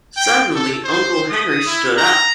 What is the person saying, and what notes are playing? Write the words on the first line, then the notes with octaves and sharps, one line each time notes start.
Suddenly Uncle Henry stood up.
G5
A4
C5
D#6
E4
A#5